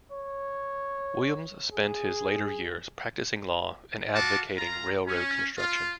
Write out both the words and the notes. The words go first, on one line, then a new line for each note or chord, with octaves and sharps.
Williams spent his later years practicing law and advocating railroad construction.
C#5
G#4
F4 F#4 D5 A5 D6
F4 A#5
C#4
F4